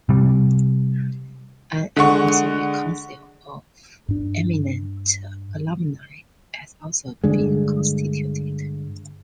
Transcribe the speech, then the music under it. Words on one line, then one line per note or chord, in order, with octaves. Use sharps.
An Advisory Council of eminent alumni has also been constituted.
C3 G3
D3 G#3 F#5 C#6
G2 D4
G2 D3 G#3